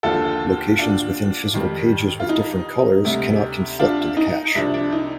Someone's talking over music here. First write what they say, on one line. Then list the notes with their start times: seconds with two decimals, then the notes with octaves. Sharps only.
Locations within physical pages with different colors cannot conflict in the cache.
0.03 D#2 D3 F3 F4 A4
0.79 D4 F4
1.54 F2 D#3 G3
2.20 F4
2.29 D#4
3.04 D2 C3 G3
3.79 D4 F4
4.17 D#4
4.55 C2 C3 F3 D4
4.74 D4
4.92 D#4